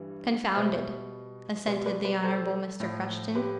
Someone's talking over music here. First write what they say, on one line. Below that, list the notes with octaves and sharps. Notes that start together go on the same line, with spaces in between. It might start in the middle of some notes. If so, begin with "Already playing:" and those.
'Confounded,' assented the Honourable Mr. Crushton.
Already playing: G2 E3 G3
B2 G3 C5 E5
B2 G3 B4 D5
B4 D5
B4 D5
A4 C5
A2 F3
G4 B4